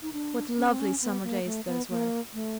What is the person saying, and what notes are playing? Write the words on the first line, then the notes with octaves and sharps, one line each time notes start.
What lovely summer-days those were!
D#4
D4
C#4
C4
C#4
B3
A#3
A3
B3
A#3
A3